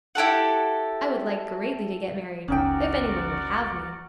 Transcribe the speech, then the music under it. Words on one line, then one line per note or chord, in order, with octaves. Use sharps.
I would like greatly to get married, if any one would have me.
E4 G4 A4 F#5
F#1 C#2 C#4 D#4 F#4 A#4 D5 G5